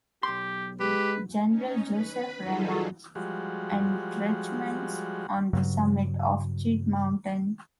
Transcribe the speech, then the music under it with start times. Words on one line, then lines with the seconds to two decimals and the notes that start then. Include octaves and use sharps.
General Joseph Reynolds's entrenchments on the summit of Cheat Mountain.
0.23 B1 G4 C6
0.80 G#3 G4 B4
1.46 C#4 D#4
1.88 B4 B5
2.41 G3 D#4 F4 G#4 A4
3.15 F3 G3 G#3 F#4
5.53 G2 C#3 F#3